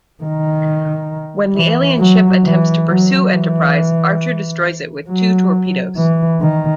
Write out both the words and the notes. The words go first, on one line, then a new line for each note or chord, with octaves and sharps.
When the alien ship attempts to pursue "Enterprise", Archer destroys it with two torpedoes.
D#3
E3
F#3
E3
F#3
E3
F#3
E3
D#3